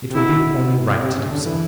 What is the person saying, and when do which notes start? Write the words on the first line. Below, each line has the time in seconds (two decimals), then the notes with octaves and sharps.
"It will be only right to do so."
0.11 C3
0.15 B2 E4
1.03 C3
1.16 C#3
1.31 D3
1.46 E3